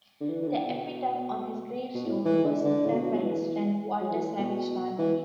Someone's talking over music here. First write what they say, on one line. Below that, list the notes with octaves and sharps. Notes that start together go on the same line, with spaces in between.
The epitaph on his grave stone was written by his friend Walter Savage Landor.
D3
E3
E3
D3
B2
B2
A2
E3
D3
D3
A2
B2
F#3
E3
F#3
E3
B2
E3